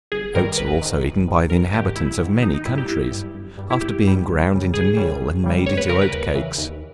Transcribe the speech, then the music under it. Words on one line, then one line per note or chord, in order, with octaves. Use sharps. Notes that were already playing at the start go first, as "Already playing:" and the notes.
Oats are also eaten by the inhabitants of many countries, after being ground into meal and made into oat cakes.
G1 G#4
G2 D#3 G3 A#4
G#1 B4
G#2 D#3
G#1
G#2 D#3
G#1 A#4
G#2 D#3 G4
G#1 E4
G#2 D#3
G1 D#4
D#4
G2 G3 E4
G4
G1 E4
G2 G3
G1
G2 G3
E4
G1 G4
G2 G3
C#2
C#3 G3
C#2 G#4
C#3 G3
C#2
C#3 G3
C#2 C#5
B4
C#3 G3 A#4
B4
D#2
C#3 E3
D#2